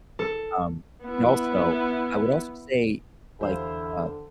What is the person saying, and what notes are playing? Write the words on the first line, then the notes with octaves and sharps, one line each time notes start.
Um, but also I would also say, like, uh,
A4
B3 E4
E2 D3 E4 G4 C5 F5